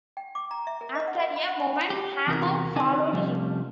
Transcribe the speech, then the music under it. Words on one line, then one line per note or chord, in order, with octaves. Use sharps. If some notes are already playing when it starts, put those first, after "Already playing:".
After a moment Hammond followed him.
G5
D6
A#5
E5
A#4
D#5
F#5
B5
B5
F#5
G4
E2 C3 F#4 A#4
D3 C4 D#4 F#4 D5 G#5
C3 F3 G3 A3 C#4